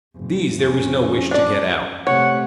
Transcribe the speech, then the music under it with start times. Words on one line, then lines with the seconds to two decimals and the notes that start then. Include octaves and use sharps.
These there was no wish to get out.
0.14 F#1
0.56 F2 C#4
1.31 D4 D5
2.07 C3 A3 C#5 F#5